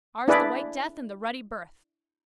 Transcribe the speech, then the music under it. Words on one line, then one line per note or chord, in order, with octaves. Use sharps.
Ours the white death and the ruddy birth.
D4 E4 G#4 B4 D5